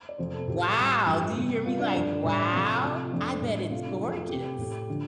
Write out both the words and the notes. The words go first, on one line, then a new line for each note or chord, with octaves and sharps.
Wow! Do you hear me? Like, wow, I bet it's gorgeous.
D5
F2 C3 F3 A3 C5
A4
A2 F3 A3 G4
A2 G3
G2 F3 A3 G4
C3 G3
C3 G3 F4
D4
G2 F3 A3 D4
A2 G3
C3 F3 A3 F4
C3 F3 A3
F4
F2 F3 A3 D4
A2 G3
D4
C3 A3 F4
D4
F2 F3 A3 F4
C3 A3 G4
A2 A3
D3 F3